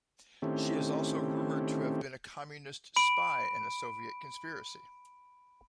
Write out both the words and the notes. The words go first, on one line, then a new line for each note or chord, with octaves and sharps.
She is also rumored to have been a communist spy in a Soviet conspiracy.
D#3 A3 C4 C#4 E4 G4
B5 D7